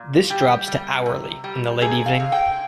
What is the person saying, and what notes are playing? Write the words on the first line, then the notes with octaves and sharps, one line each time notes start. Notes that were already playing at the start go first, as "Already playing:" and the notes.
This drops to hourly in the late evening.
Already playing: A#2
G3 G4
G3
C3
G3
C3 G#4
F5
C3
G5